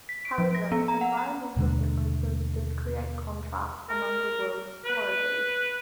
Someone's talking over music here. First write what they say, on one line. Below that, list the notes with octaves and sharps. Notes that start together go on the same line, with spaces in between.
However, environmental differences did create contrasts among the world's foragers.
B6
D7
F3
A#6
B3
A#5
F#5
A#5
D#2 B2 D3 G#3
A#4
B4